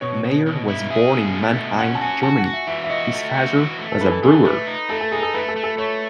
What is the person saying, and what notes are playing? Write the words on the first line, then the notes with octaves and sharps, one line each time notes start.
Mayer was born in Mannheim, Germany; his father was a brewer.
B2 C#5
B2
B2
E4
G#4 E5
B2
A3
B2
C#4 F#5
A5
F#4 G#5
F#4 A5
F#5
F#4
E5
E3 E5
E5
F#4 D#5
A3
F#4
E3
A3
A4
E3 B4
A4
E3 G#4
A4
A3 B4
D#4
A3 A4
A4
D#4 G#4
A4
A3 B4
A4
A3
A4
A3 C#5